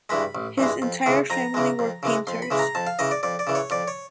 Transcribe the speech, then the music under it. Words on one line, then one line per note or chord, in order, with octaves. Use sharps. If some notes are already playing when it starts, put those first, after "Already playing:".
His entire family were painters.
G2 E3 G#3 B5
A1
G2 E3 G#3
F2
C#3 E3 G#3
F2 A#5
C#3 E3 G#3
F2
C#3 E3 G#3
F2 C6
B5
C#3 E3 G#3
A#5
F2 A5
F5
C#3 E3 D#5
D5
F2 D5
D5
C#3 E3
C#5
F2 D5
C#5